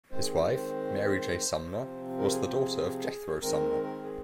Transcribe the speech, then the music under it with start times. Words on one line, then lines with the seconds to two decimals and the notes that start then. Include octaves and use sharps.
His wife, Mary J. Sumner, was the daughter of Jethro Sumner.
0.11 D#3 G#3 C4 C5
0.21 G#4
0.32 G4
0.52 C5
1.76 C3 F3 C4
2.18 A#4
2.31 G#4
2.45 G4
2.59 G#4
3.42 D#3 G#3 C4 A#4
3.83 A#4
4.04 G#4